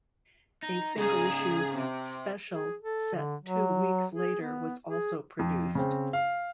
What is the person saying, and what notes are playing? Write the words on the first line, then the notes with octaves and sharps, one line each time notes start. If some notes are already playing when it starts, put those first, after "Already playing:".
A single issue 'Special' set 'Two weeks' later was also produced.
D#4
C#3 D#4 G#4
C3
G#4
A4
D3
F#3
G#4
B3
G#4
F2
C#3 C4
F5